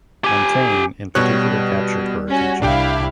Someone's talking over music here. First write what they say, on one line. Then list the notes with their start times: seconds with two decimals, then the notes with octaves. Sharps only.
Montaigne in particular captured her attention.
0.24 G4 G#5
1.15 B2 G3 C#5 F#6
2.29 C#4 F#4
2.62 C2 D4 E4 G4 F5 G5